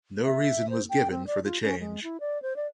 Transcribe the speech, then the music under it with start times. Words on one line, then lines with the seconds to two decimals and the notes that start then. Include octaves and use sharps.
No reason was given for the change.
0.24 E5
0.70 C5
0.90 G5
1.11 C4
1.27 D5
1.44 F4
1.64 C#4
1.80 G#3
2.03 E4
2.20 D5
2.42 C5
2.56 D5